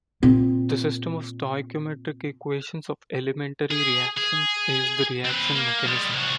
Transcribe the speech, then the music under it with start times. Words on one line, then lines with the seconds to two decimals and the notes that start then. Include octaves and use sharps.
The system of stoichiometric equations of elementary reactions is the "reaction mechanism".
0.23 A#2 C4
3.71 G#4
4.17 G#4
5.25 C4 B4
5.55 A#3
5.87 G3 G#3
6.12 C2 F#4